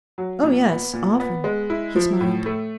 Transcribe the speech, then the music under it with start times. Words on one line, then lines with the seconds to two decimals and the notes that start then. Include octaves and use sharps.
'Oh yes, often.' He smiled.
0.18 F#3
0.43 A#2
0.69 B3
0.93 A#2
1.20 B3
1.44 G#3
1.70 E4
1.96 F3
2.21 A2
2.46 A3